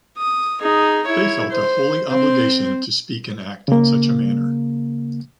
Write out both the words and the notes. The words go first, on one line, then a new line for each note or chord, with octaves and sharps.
They felt a holy obligation to speak and act in such a manner.
D#6
D#4 G#4
E4 C#5
C5
C4 C5
C#3 A#3